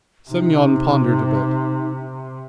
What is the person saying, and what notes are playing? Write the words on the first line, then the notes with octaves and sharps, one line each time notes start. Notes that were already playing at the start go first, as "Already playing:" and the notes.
Semyon pondered a bit.
C3 D#4